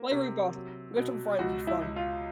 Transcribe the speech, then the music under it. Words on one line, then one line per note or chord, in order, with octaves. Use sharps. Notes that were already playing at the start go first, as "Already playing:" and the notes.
Play Repo, with some friends, it's fun.
Already playing: A#3
C3
F#3
B2
C#2 F#4
E4
C#2
F4